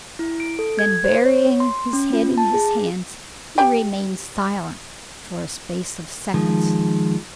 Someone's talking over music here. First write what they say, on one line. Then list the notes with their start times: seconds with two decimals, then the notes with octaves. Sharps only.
Then burying his head in his hands, he remained silent for a space of seconds.
0.19 E4
0.40 D7
0.59 A4
0.79 G#6
1.04 C5
1.26 C#5
1.60 C6
1.93 C#4
2.13 F4
2.38 A5
2.54 G#4
3.58 G4 G5 G#5
6.34 D#3 F3 G#3